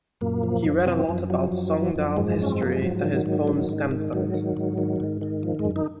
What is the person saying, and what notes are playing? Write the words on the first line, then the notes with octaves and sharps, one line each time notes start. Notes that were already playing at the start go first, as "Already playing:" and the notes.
He read a lot about Sogndal history that his poems stemmed from it.
F#2 A#2 A#3
F3
F#2
C3 F3 C4
F#2 F3
F3 F#3
F#2
F3
F#2
G#2 F3 G#3
F#2 C#4
C4
F3 A#3
G#3
G#2 F#3
D#3
G#2
D#3
G#2
D#3
G#2 F#3
D#3
G#2
D#3
G#2
D#3
F3
G#2 G#3
F#2
D#3 D#4